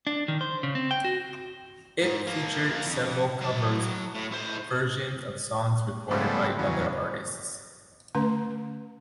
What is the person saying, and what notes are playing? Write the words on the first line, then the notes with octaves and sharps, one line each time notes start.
It featured several covers versions of songs recorded by other artists.
D4
D#3
C5
C#3
C4
G5
F#4
G#2
F3 A#3
F2
F#3 A5
A2
A2 C5
C#3 F3 G3 A3 B3
E2 C#3 F#3
D3 A3 C#4 B4 C6